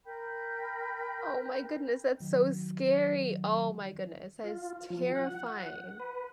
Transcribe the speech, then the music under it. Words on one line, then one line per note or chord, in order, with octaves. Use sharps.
Oh my goodness. That's so scary. Oh my goodness. That is terrifying.
A#4 G5 B5 G6
D#3 F#3
F4
F3
F#5
B4